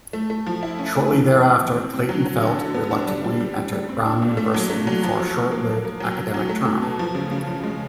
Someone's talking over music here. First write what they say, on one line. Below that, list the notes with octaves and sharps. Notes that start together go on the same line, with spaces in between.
Shortly thereafter, Clayton-Felt reluctantly entered Brown University for a short-lived academic term.
A3
A3
F3
E4
C#4
A3
E3
E3
C3
E3
C4
C4
F#3
F#3
D3
D3
B3
D4
G3
G3
G3
G3
G3
C4
D4
A#2
A3
F#3
A3
F#3
F3
F3
F3
A#3
F3
A#3
F#3
F#3
F#3
A3
A3
B2
F3
C#3
C#3
F3
G#3